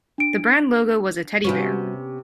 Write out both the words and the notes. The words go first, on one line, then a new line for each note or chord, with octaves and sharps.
The brand logo was a teddy bear.
D4 D7
C3 G3 B3 C#4 F#4